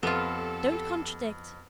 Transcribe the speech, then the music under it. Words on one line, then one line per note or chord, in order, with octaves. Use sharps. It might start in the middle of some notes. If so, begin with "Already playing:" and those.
Don't contradict.
F2 B3 F4 G4 A4